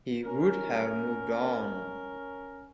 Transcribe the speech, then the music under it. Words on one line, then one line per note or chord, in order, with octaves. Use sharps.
He would have moved on.
C#4 A#4